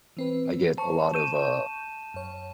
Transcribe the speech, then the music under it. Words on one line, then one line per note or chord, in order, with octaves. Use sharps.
I get a lot of, uh,
E3 C4 B4
C5 A5 C#6
C#6 G6 D#7 E7
F#2 C#5